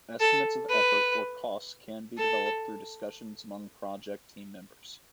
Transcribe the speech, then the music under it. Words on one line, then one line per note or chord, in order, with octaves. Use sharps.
Estimates of effort or cost can be developed through discussions among project team members.
A4
B4
A4